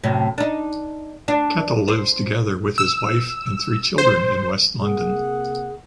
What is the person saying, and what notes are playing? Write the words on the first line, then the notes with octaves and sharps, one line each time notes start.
Kettle lives together with his wife and three children in West London.
F#2 A2 C3
D4 D#4
D4
C5
E6
C5
C3 A#3 G#4 F#5